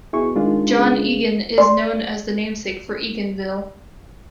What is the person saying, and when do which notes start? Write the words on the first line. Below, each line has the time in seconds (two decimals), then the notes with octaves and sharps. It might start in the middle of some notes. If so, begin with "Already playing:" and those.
John Egan is known as the namesake for Eganville.
0.13 B2 E4 G#4 C#6
0.36 D#3 G#3 D4 F4
0.71 C#3
1.58 D5 C6